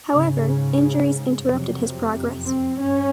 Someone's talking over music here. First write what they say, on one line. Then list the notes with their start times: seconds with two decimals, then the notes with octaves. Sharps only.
However, injuries interrupted his progress.
0.12 G#2 C#3
1.45 F2 C3 F#3
2.46 C4
2.79 G2 C#4